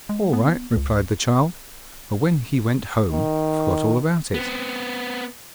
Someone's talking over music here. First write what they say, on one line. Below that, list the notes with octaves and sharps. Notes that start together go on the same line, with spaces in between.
'All right,' replied the child, but when he went home forgot all about it.
G#3
B3
C#2
D#3
B3 C4